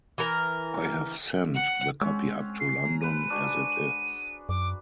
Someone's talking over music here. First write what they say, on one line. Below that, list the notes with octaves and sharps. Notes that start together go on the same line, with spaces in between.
I have sent the copy up to London as it is.
E3 A#4
F#5
G#3 C4 C#4 F#5
C7
A#5
B4 C5 C6 D#7
D4 F#4 G#4
F#2 D6